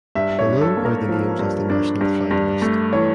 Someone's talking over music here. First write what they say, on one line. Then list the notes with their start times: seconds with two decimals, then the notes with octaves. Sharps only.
Below are the names of the national finalist.
0.15 G2 E5
0.39 C#5
0.46 D4
0.61 A4
0.77 A#3
0.85 A#4
1.08 F3
1.39 G2
1.70 D4
2.01 G2
2.31 G2
2.62 A3
2.93 E3 C#5